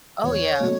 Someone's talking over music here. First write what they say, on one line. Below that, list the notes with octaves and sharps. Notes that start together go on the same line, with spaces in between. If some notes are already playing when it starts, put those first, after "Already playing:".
Oh, yeah.
E2 C#5
B2 F#3 A3 C#4